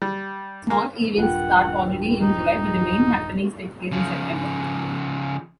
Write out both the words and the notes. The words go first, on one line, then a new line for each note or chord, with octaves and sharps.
Small events start already in July, but the main happenings take place in September.
G3
A#3
D#1 G2 F4 A#4 F#5 G5
D#4
C#3 F3